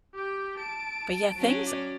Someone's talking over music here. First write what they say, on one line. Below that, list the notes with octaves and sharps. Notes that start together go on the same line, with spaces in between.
but, yeah, things
G4 G5
A5 D7
F#3 C#4
D5